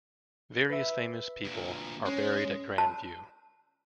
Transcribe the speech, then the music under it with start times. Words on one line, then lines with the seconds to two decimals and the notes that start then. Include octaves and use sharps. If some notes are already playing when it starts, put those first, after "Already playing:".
Various famous people are buried at Grand View.
0.69 B4 E5
1.45 D2 A#2
2.06 G#3 C#4
2.78 A5